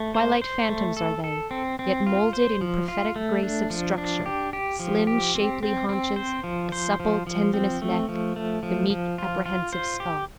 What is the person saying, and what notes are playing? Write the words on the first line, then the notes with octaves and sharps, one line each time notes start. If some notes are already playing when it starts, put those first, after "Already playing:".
Twilight phantoms are they, yet moulded in prophetic grace of structure, slim shapely haunches, a supple tendonous neck, the meek apprehensive skull.
Already playing: A3
C5
C5
A3
A4
A4
C4
C4
F4
C5
F3
F4
A3
D4
F3
D4
G4
G4
F3
G4
C4
C4
C4
C5
F3
C5
F3
F3
C4
A3
F3
A3
F3
F3
F4
F4
C5
G4